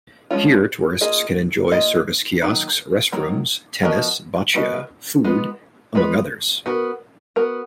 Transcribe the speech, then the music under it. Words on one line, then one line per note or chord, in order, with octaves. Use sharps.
Here tourists can enjoy service kiosks, restrooms, tennis Boccia, food, among others.
F3 G#3 C#4 F4
A#3 F4 G#4 D#5
A#3 F4 G#4 D#5
D#3 F#3 A#3
D#3 F#3 A#3
F3 B3 F#4 A#4 D#5
F3 B3 F#4 A#4 D#5
G#3 B3 F4 B4
G#3 B3 F4 B4
B3 F#4 A#4
B3 F#4 A#4